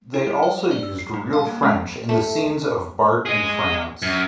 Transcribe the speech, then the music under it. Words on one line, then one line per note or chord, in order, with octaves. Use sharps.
They also used real French in the scenes of Bart in France.
E4
G3
D5
C5
D5
E6
C7
G3
F5
A#3
G#3
A3
G#4 D#5
F#2